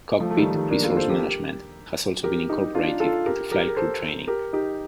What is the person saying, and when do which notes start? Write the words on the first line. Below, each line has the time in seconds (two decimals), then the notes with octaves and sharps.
"Cockpit Resource Management" has also been incorporated into flight crew training.
0.20 F3 A3
0.30 A3
0.37 D#3 G3
0.54 D#3 G3
0.71 A#3 D4
0.84 F4 A4
0.96 A4 C5
1.10 G4 A#4
2.24 G4 A#4
2.49 D#4 G4
2.75 D4 F4
3.00 F4 A4
3.26 G4 A#4
3.51 G4 A#4
3.68 A#4
3.76 A4 C5
4.28 G4 A#4
4.53 D#4 G4